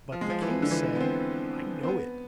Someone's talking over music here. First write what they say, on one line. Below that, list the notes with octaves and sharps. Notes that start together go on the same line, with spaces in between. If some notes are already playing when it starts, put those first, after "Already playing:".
But the king said, 'I know it.
F3
G#3
F3
E3
D3
E3
B3
C4
C4
B3